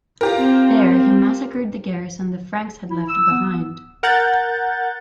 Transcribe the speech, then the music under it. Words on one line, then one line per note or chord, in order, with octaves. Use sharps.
There, he massacred the garrison the Franks had left behind.
F4 G4 A#4
C4
E4
E6
B3
A#4 F#5 A#5 F#6 G6 A6